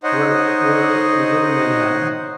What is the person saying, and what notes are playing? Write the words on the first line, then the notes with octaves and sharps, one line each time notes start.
Where where we live in Manhattan.
D#4 C5 C#5 D#5 F#5